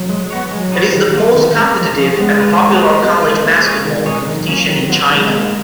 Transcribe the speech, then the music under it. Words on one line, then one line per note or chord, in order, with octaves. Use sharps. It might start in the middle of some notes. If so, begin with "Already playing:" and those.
It is the most competitive and popular college basketball competition in China.
Already playing: F#3
G#3
B3 F#4 C#5
F#3 G#3
D#4 F#4 B4
D#3
A#3 F4
D#3
G#3 C#4
F3 G#3
C#4 G#4 C#5
G#3 B3
F4 B4
F3
A#3 F4
G#3 B3
F4 B4
G#3 A#3
F4 G#4 C#5
D#3
G#3 D#4 G#4 C#5
D#3 F#3
A#3 C#4
D#3
F#3 B3 F4
D#3 G#3
A#3 D#4